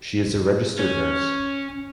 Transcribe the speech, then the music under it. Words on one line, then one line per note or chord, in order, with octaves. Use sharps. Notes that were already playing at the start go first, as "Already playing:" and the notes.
She is a registered nurse.
C#4